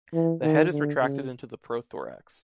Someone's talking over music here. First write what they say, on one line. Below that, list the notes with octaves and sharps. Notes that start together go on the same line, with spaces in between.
The head is retracted into the prothorax.
E3
D#3
D3
C#3